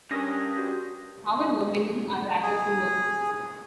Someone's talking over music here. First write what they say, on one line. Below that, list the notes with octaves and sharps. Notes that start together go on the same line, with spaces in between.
However, many are rather poor.
G2 G3 C#4 D4 A#4 D#6 A#6
F#4 G4 G6
G#4